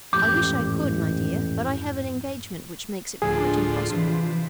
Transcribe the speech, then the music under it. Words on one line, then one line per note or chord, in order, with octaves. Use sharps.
"I wish I could, my dear, but I have an engagement, which makes it quite impossible."
A1 F2 G#2 G4 D6 G6
D2 A2 F3 D4 F4 G#4
C3 E3